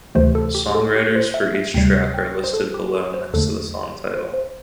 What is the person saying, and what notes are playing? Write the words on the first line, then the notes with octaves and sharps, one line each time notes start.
Songwriters for each track are listed below next to the song title.
D2 C3 E3 A3 C5
A4
G4
A4
G4
C5
E5
E5
D2 C3 G3 G5
G5
C5
A4
G4
A4
C5
E2 D3 A3 A4
C5
C5